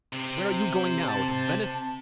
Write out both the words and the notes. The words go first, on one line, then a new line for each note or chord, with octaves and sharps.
Where are you going now--to Venice?
C3
A5